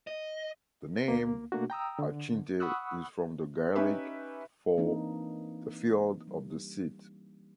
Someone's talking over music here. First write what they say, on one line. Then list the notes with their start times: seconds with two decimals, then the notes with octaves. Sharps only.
The name Achintee is from the Gaelic for "the field of the seat".
0.07 D#5
1.08 D2 A#3
1.52 B2 A3 A#3 D4 F#4
1.70 G5 A#5 D#6 E6
1.99 D3
2.60 F#5 B5 C#6 D#6 E6 F#6
3.76 C#4 D#4 G4 B4 E5
4.77 E3 A#3 C4 D4 D#4
6.28 G3